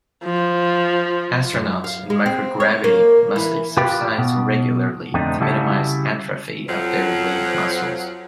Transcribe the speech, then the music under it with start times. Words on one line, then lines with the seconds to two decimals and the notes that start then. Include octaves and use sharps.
Astronauts in microgravity must exercise regularly to minimize atrophy of their limb muscles.
0.25 F3
1.53 F#2
1.84 F5
2.10 G#3
2.26 C4
2.60 C#5
2.84 A#3
3.36 E3
3.77 F4 G4 B4
4.18 B2
5.14 F2 D3 A3 C4 D#4
5.40 C#3 G3 E4 F#4 A4
6.68 F2 F3 F#3